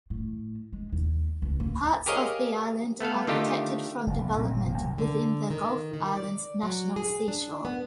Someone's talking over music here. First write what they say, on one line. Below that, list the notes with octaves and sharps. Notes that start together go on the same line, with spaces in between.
Parts of the island are protected from development within the Gulf Islands National Seashore.
A2
G#3
D#2
C#2
A#3
G4 G#4 A#4 C#5 D#5 F5
A3 B3 A4 F5
D3 D#3 A3 D#4 F4 G4
F#1
B1
A#2 F#3 C4
G1 A#2 D3 E3
E1 D#3 A#3
C2 C3 D#3 F#3
D3
D#3
D#3
D5
F#3
G#4
D4
B3